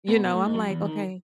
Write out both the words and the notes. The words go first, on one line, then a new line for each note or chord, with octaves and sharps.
You know, I'm like, "Okay."
B2 B3
B2 B3
A2 A3
G#2 G#3
F#2 F#3
E2 E3
D#3